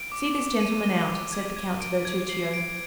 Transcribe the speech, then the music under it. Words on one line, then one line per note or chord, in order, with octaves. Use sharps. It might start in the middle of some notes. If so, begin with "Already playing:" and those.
"See this gentleman out," said the count to Bertuccio.
Already playing: D7
D6
D6
D#7
G7
F7
G#6
G#6
D7
G#6
C7
D7